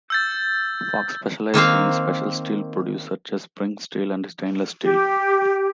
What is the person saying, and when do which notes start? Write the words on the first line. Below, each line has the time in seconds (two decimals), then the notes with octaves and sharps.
Fox's specialised in special steel produce such as spring steel and stainless steels.
0.10 E6 G6 A6
1.54 D#3 A#3 C4 F5
4.83 G4